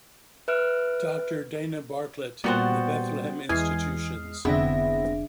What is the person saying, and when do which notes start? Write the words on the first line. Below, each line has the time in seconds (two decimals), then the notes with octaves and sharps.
Doctor Dana Bartlett, the Bethlehem Institutions.
0.48 B4 E5 F6 F#6 D7
2.44 A#2 G3 B3 F#4 C5 G5 A6
3.49 E2 E3 G#3 G#5 D#6 F6 C7
4.45 F1 D3 B3 C4 D4 E4 G#4 A#6